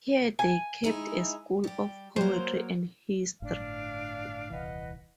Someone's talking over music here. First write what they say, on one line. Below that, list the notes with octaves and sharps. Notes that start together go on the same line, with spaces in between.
Here they kept a school of poetry and history.
G#5
G#3 D#4 E4
G3 G4
F#3 A#3 C5
G1 A2 D4 F5
D#1 C2 E3 B4 D#5 F#5